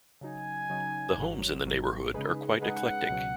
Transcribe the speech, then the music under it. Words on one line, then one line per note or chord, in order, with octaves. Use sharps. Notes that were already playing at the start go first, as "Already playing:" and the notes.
The homes in the neighborhood are quite eclectic.
C#3 F#3 D#4 G#5
C#3 F#3 D#4
G#1 G#2 F#3
G#1 G#2 F#3
C#3 G#3 D#4 G#4 B4
C#3 G#3 D#4 G#4 B4 F#5
C#2 B2 F#3